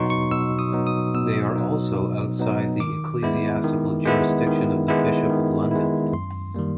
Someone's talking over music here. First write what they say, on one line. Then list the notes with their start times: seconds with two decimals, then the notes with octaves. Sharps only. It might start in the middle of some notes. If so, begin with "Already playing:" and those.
They are also outside the ecclesiastical jurisdiction of the Bishop of London.
Already playing: B2 F#3 B3 D#4 C6 C#6
0.10 C#6
0.31 B2 E6
0.59 D#6
0.72 F#3 B3 D#4
0.87 D#6
1.14 B2 E6
1.56 F#3 B3 D#4
1.97 B2
2.39 F#3 B3 D#4
2.80 D#3 D6
3.23 G#3 B3 E4
3.64 D#3
4.06 G#3 B3 E4
4.47 D#3
4.88 G#3 B3 E4
5.30 D#3
5.71 G#3 B3 E4
6.13 F#2 C6
6.55 D#3 G3 A#3